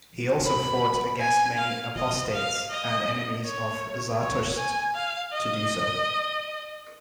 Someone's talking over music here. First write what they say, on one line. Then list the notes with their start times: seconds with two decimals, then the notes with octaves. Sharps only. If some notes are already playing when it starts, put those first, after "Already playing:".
He also fought against many apostates and enemies of Zartosht to do so.
0.46 B5
1.21 G#5
1.58 F5
1.95 D#5
2.33 F5
2.70 D#5
3.45 C#5
4.20 C#5
4.57 G#5
4.95 F5
5.32 D#5